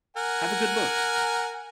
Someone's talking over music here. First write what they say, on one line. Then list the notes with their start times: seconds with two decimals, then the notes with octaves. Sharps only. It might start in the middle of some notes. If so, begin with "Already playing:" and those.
Have a good look.
0.17 A#4 F#5 G#5